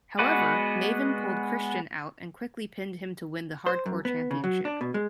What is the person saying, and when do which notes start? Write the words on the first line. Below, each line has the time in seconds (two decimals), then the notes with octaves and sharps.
However, Maven pulled Christian out and quickly pinned him to win the Hardcore Championship.
0.19 G#3 B3 F#4 B4 D5
3.66 C5
3.86 F#2
4.05 B3
4.31 C#3
4.44 F#3
4.65 D4
4.81 B2
4.94 G#3